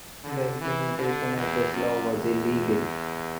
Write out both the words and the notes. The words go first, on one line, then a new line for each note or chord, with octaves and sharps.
The implementation of this law was illegal.
D3
E3
D3
E2
F#2
E2